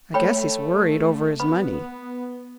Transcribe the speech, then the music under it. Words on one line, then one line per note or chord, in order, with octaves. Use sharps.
"I guess he is worried over his money."
A3 C#5 G5 B5
B3 B5